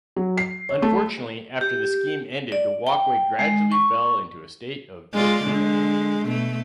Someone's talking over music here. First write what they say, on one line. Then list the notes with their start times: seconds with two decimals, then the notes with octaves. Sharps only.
Unfortunately, after the scheme ended the walkway gradually fell into a state of disrepair.
0.16 F#3
0.37 C7
0.69 C#5
0.82 A3
1.61 G4
2.52 D5
2.87 G5
3.39 G#3
3.72 C#6
5.13 G#3 F4 D5
5.44 D3 G#3
6.26 B2 A3